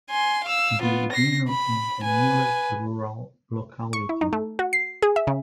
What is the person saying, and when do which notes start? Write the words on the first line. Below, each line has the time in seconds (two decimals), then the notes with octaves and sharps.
Bilibino is the nearest rural locality.
0.10 G#5 C6
0.44 F5 E6
0.82 B3 F4
1.12 A#6 C7
1.49 B5
2.03 B4 G#5
3.93 C#6
4.09 E4
4.21 D#4
4.33 A3
4.59 F#4
4.73 C7
5.02 G#4
5.16 E5
5.27 C#3